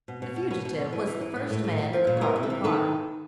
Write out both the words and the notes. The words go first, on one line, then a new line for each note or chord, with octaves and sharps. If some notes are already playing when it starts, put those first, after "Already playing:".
The fugitive was the first man in the parlor car.
B2
B2
B2
B2 B4 C#5
B2
B2
E3
E3
E3
A2
A2
A2
A#2
F3
A#2
C#5
E3 A#4 C5
C3
A4 B4
E3
D#3 A4 B4